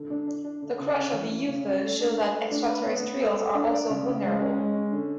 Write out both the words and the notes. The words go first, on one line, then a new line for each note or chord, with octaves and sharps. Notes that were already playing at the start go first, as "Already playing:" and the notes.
The crash of the UFO shows that extraterrestrials are also vulnerable.
Already playing: D3
D4
D4
D4
D3
C#3
C#4
E3
C#4
C#3
C#4
A3
D4
B4
A3
D4
B4
B3
B3
A4
A4
D4
D5
C#3
C#3
G#3
C#4
G#3
C#4
D3